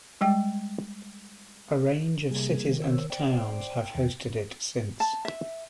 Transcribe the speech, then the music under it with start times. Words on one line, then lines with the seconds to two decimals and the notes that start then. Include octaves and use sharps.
A range of cities and towns have hosted it since.
0.21 G3 G#3 G5
2.31 C3 G3 A#3 G#4
2.65 D#3
2.82 C5 C#5 E6
3.10 C5 D5 G5
3.95 E2 D#3
5.00 A5
5.25 E5